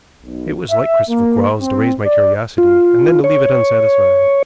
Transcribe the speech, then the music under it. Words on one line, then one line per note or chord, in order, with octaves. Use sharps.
It was like Christopher Quarles to raise my curiosity, and then to leave it unsatisfied.
B1
E5
A#3
C4
D5
F4
C#5